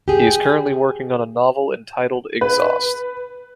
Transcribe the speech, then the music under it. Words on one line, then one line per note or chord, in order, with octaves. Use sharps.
He is currently working on a novel entitled "Exhaust".
G4 G#4
B4